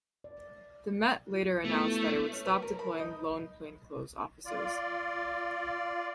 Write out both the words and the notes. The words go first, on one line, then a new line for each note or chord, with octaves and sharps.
The Met later announced that it would stop deploying lone plainclothes officers.
D5
F4
A3 B3 E4 F#4
C#4
B4
A#4
B5
D#4
F4 D5